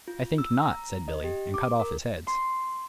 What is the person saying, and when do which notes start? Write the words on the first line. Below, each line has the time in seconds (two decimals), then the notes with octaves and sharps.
"I think not," said Billy, and cut off his heads.
0.08 F4
0.38 E6
0.63 A#5
1.08 D#5
1.24 G4
1.54 D6
1.80 A#4
2.27 C6